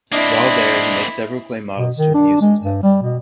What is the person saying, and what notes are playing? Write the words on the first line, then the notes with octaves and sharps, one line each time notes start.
While there, he made several clay models to amuse himself.
A#3 C4 D4 E4 D#5
B2
D#3
D4
G#3
G2
G3
B2